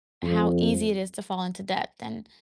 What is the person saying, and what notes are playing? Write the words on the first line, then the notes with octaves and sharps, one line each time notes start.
how easy it is to fall into debt, and
F2